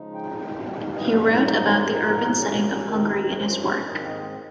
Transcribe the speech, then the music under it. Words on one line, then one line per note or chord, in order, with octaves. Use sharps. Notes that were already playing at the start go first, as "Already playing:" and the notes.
He wrote about the urban setting of Hungary in his work.
Already playing: C#3 F3 G#3 D#4
G5
G2 D#3 G#3 D#4 G5
G2 G3 A#3 F5
D#5
F5
G#2 G3 A#3 D#4 C#5
C#5
G#2 F3 A#3 D#4 A#4
C3 G3 A#3 C#4
D#2 D#3 G#3 C4 A#4
G2 F3 A#3 C#4 C5
C5
C#5
G#2 D#3 G#3 C4 D#5
F5
D#5